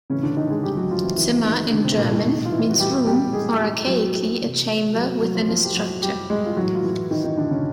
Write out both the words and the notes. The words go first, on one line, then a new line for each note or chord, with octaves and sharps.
"Zimmer" in German means room or archaically a chamber within a structure.
A2 C#3 E3 C#4
D3 D4
D#3 D#4
G#3 G#4
G3 G4
F#3 F#4
F3 F4
E3 E4
E3 E4
D#3 D#4
D3 D4
C3 C4
A3
A#2 A#3
A2 A3
B2 D#3 D#4
F4
E3 E4
F#4
G3 G4
G3 G4
G#3 G#4
G3 G4
F#3 F#4
C3 E3
F#3 F#4
F#3 F#4
F3 F4
F3 F4
G4
F#3 F#4
G3 G4
G#3 G#4
F4
A2 E3 F#3 F#4
F4
E3 E4
D#3 D#4
D#3 D#4
D3 D4
C#3 C#4